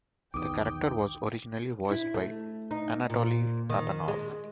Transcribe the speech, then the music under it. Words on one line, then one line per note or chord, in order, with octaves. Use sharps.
The character was originally voiced by Anatoli Papanov.
B1 E2 D#3 G5 D6 D#6
E4
A3
D#4
A#2
D#3
G#3